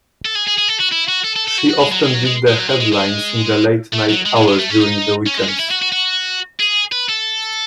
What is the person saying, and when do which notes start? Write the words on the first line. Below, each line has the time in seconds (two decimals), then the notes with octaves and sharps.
She often did the headlines in the late night hours during the weekends.
0.26 A4
0.36 G#4
0.48 G#4
0.58 G#4
0.69 A4
0.80 F#4
0.92 E4
1.09 F#4
1.24 A4
1.36 A4
1.48 A4
1.58 F#4
1.70 F#4
1.80 G#3
1.92 F#3
2.04 G#3
2.14 F#3
2.26 G#3
2.48 G#3
2.59 F#3
2.69 G#3
2.80 G#3
2.92 G#3
3.93 A3
4.09 F#3
4.26 G#3
4.36 G#3
4.48 G#3
4.59 A3
4.70 C#4
4.81 D#4
5.26 C#4
5.37 G#3
5.48 C#4
5.59 E4
5.70 F#4
5.82 F#4
5.92 F#4
6.60 G#4
6.92 B4
7.09 A4